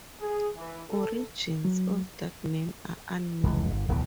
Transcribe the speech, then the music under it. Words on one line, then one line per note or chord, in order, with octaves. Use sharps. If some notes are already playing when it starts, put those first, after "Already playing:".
Origins of that name are unknown.
G#4
E3
A4
F#3
F1 C#2
G1
D1 B1 B2 E3